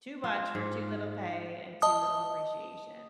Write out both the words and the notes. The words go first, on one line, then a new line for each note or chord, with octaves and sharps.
too much for too little pay and too little appreciation
F4
G#2
D#5 A5 D#6